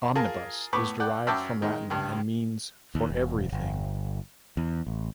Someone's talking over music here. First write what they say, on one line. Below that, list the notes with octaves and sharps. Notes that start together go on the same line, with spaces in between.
"Omnibus" is derived from Latin and means "for everything".
F4 G#4 A#4 A5
A2 B3 B5 C#6 D6
D5 F#5 G5
F#2 E5 G5 A5 D6
D#3 G#3
C#2 G2
D#2
E1
G1
E2
A1